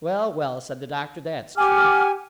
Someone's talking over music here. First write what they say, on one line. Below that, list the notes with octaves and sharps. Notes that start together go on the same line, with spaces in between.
'Well, well,' said the Doctor, 'that's true.
G4 F#5 G#5 D6 F6